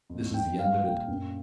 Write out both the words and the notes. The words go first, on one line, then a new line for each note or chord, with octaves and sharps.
This is the end of it.
F2
F2 G5
G3 F5
A#2 G5
F#2